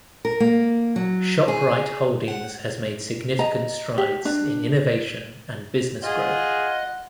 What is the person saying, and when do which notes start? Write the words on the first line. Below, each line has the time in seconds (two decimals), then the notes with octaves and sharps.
Shoprite Holdings has made significant strides in innovation and business growth.
0.25 A#4
0.40 A#3
0.96 F#3
1.48 G#4
2.28 F#5
3.39 D#5 A#5
3.98 G4
4.25 D4
6.03 F4 G#4 D#5 F#5